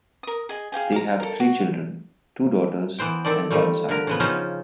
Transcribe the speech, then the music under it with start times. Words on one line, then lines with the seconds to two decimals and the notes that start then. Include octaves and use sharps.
They have three children, two daughters and one son.
0.23 A#4 D#6
0.49 G#4 D#5 G#5
0.72 G#4 F5 G5 G#5
0.92 F5 A#5
1.20 A4 A#4
1.40 F#4
2.99 E3 B3 C5 G5
3.25 D#3 C4 A4 D5
3.51 D#3 F3 G3 A3
3.89 D3 A#4
4.07 C#3 F3 B3
4.20 C#3 F3 C#4 D#4 F4 C5